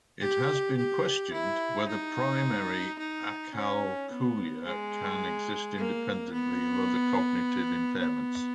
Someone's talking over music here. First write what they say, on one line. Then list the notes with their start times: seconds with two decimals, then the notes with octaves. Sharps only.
It has been questioned whether primary acalculia can exist independently of other cognitive impairments.
0.21 G4
0.77 G4
1.33 E4
1.88 D#4
2.99 D#4
3.55 C#4
4.10 B3
4.66 G#3
5.77 A#3
6.32 B3
7.99 B3